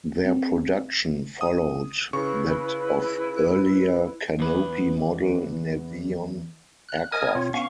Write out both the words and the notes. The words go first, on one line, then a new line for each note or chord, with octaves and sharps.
Their production followed that of earlier canopy-model Navion aircraft.
C4
D#6
C#3 E4 B4 C#6
E2 B4
F#6
A#4 D#5 G#5 D#6 F6 G#6
B2 C4 F4 C#5
B3 C#4 F5 C#6